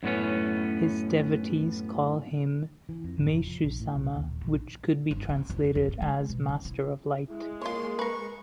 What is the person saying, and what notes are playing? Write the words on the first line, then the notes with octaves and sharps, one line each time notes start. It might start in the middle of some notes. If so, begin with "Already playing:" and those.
His devotees called him "Meishu-sama", which could be translated as 'Master of Light.
F#2 A2 B3 C#4
E3
F2
G#1
F1
F3
A#1
A2
B1
D#2
D#1
A#1
G1
B3
F1
E2
G#2
G#3
B2
C2
E4
G#3 E4
A#3 F4 C#5 C6
A#4 B4 C#6